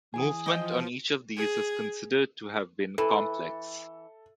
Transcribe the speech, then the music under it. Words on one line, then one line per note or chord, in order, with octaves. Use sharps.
Movement on each of these is considered to have been complex.
E3 G#4 G#5 D#6
F3 D#5 G5
G#4
E3 A4